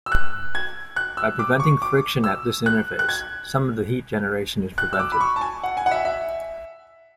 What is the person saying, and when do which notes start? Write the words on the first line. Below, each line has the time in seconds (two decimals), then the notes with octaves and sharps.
By preventing friction at this interface, some of the heat generation is prevented.
0.06 E6
0.12 F#6
0.55 G#6
0.96 F#6
1.17 E6
1.39 D6
1.60 C#6
1.82 D6
2.24 E6
2.66 F#6
2.99 F#6
3.09 G#6
4.78 F#6
4.93 E6
4.99 D6
5.12 B5
5.20 C#6
5.36 A5
5.41 G#5
5.63 F#5
5.77 G#5
5.86 F#5
5.91 E5
6.05 E5